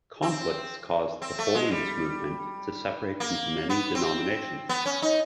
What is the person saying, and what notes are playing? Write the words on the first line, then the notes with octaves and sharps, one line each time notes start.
Conflicts caused the holiness movement to separate into many denominations.
C4
C4
A3
G#3
G3
A#3
B3
C4
B3
C#4
D#4